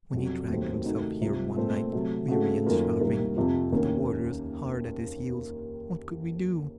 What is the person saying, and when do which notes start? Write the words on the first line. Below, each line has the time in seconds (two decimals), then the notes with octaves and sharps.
When he dragged himself here one night, weary and starving, with the warders hard at his heels, what could we do?
0.13 F2 C3 F#3
0.50 D#2 D#3 F#3 A3 C4
0.85 C3 D#3 A3 D#4 F#4
1.22 C2 C3 F3
1.56 A#2 A3 C4
1.92 C3 F#3 A3
2.28 C#3 A3 C4 F#4 A4
2.64 F#2 D#3 A#3 F4 A4
3.00 C2 C3 D#3 A#3
3.37 F2 C3 F3
3.72 D#2 D#3 A#3 C#4